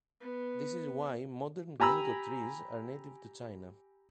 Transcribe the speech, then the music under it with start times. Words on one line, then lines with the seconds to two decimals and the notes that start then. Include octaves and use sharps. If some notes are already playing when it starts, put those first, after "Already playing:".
This is why modern "Ginkgo" trees are native to China.
0.21 B3
1.80 G4 G#5 A#5 B5 E6